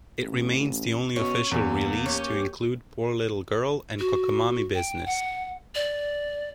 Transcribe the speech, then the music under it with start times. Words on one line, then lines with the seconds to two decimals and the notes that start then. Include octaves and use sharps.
It remains the only official release to include "Poor Little Girl" and "Cockamamie Business".
0.23 A1
1.16 B2 C#4
1.51 E2 A#3
2.06 C#4 G4
3.99 F#4
4.75 G5
5.06 F#5
5.75 D5